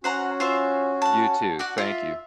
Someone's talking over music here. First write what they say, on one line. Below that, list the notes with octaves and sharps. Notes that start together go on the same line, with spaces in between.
You too, thank you.
C#4 F#4 C5 F#5 A#5
F4 C5 E5
F#5 A5
F#4 D5 F#5
F4 E5